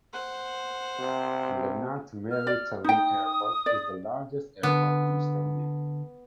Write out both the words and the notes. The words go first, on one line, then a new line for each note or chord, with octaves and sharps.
Lennart Meri Tallinn Airport is the largest airport in Estonia.
C5 F#5
C3
F6
D5
D#4 G5 D#6
D5
D3 B3